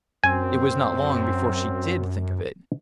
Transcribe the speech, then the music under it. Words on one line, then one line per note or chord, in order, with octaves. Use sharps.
It was not long before she did think of it.
F#2 C4 G#5